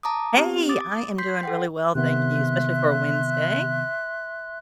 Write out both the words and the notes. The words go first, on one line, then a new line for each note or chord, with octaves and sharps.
Hey, I am doing really well, thank you, especially for a Wednesday.
A5 A#5 D6 D#6
B3 C4 G4
D6 D#6 A6
C6 G6 B6 C7
A4 F#5 G5
C3 D#3 B3 E5 C6 F#6